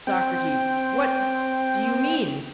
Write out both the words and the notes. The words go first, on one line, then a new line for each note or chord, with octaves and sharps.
SOCRATES: What do you mean?
C4 G5